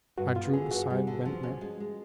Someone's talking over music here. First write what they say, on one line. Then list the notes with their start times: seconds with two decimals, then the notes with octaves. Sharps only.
I drew beside Ventnor.
0.17 G2 F#4
0.35 B3 F4
0.53 D3 G#4
0.71 G2 F#4
0.90 G3
1.07 D3
1.25 F3
1.43 C#4
1.61 G#3
1.80 G#3